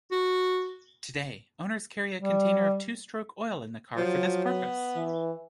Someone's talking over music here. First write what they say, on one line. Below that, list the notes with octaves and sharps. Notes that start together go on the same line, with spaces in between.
Today, owners carry a container of two-stroke oil in the car for this purpose.
F#4
G3
F3 F#3
B3
E3